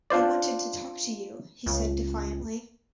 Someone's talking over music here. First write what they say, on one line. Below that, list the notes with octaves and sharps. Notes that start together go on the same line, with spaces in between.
"I wanted to talk to you," he said defiantly.
D4 F4 C5 D5
C#2